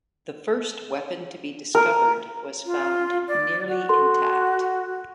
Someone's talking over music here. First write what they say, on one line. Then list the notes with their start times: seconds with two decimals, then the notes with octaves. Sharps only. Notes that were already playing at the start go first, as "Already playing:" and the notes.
The first weapon to be discovered was found nearly intact.
1.75 A#4
2.66 F4
3.28 D5
3.68 F#4
3.89 A4 A#4 C6